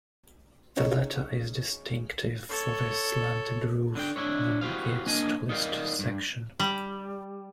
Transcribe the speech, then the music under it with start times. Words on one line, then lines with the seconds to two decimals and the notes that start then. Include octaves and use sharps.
The latter is distinctive for the slanted roof on its tallest section.
0.76 C#3 D#4 C#5
2.49 A4 C#5
3.95 D3 D4 G5
4.16 D4 E4 C#5
4.61 E4 F#4 G4 C5 F5
5.06 A#3 D4 D#5 G#5
5.49 D#4 A#4 D5 F5 G5
5.99 G2
6.60 G3